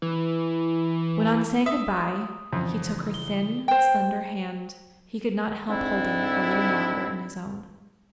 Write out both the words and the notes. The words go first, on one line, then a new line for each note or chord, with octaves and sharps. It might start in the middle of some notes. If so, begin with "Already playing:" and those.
When on saying good-by he took her thin, slender hand, he could not help holding it a little longer in his own.
E3
E5 D#6
F2 C#3 E3 C#4
G7
C5 G5
G#2 D3 C4 D4 E4